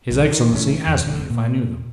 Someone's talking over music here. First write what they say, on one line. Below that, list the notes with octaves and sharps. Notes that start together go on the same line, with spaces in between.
His excellency asked me if I knew them.
B1
D#3
A1 A2 C3 C#4
E2
E1 D3
A#2